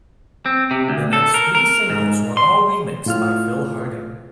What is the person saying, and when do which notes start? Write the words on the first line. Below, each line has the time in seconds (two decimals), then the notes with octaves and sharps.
The next three singles were all remixed by Phil Harding.
0.46 C4
0.71 C3
0.89 D2
1.13 A4
1.34 A#4
1.55 A#4
1.90 G#2
2.37 C6
3.06 A2 F4 F6